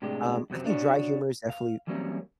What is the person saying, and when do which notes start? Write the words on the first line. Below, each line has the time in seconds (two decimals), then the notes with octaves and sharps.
um, I think dry humor is definitely
0.02 A2 C3 G#3 D4 G4
0.50 F#2 C3 F#3 C4
0.66 D4 F#4 C#5
1.50 F5
1.87 E3 F#3 G3 A#3 C4 C#4